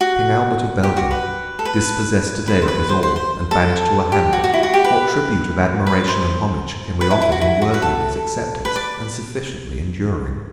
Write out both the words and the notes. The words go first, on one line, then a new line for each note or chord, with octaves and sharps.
King Albert of Belgium, dispossessed to-day of his all and banished to a hamlet--what tribute of admiration and homage can we offer him worthy of his acceptance and sufficiently enduring?
F#4
G4
F#4
B4
A4
B4
B4
C5
B4
C5
C5
C5
A4
G4
F#4
F#4
E4
F#4
G4
B4
B4
C5
B4
E4
E4
F#4
E4
F#4
B4
A4
B4
D5